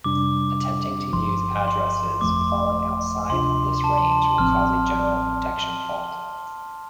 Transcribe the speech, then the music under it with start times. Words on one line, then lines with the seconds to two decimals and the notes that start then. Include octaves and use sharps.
Attempting to use addresses falling outside this range will cause a general protection fault.
0.04 F2 C3 G3 D4 D6
1.13 G1 G2 F3 C6
1.68 C6
2.21 G1 F2 F3 A3 D6
3.29 D2 C3 F3 D4 F4 C6
3.84 A5
3.98 C6
4.11 A5
4.25 C6
4.38 A1 A2 F3 C4 F6